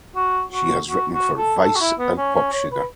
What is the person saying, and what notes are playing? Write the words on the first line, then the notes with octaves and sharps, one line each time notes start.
She has written for "Vice" and "Popsugar".
F#4
F#4
F#4
F#4
A4
A4
F#4
E4
B3
C#4
C#4
C#5
B4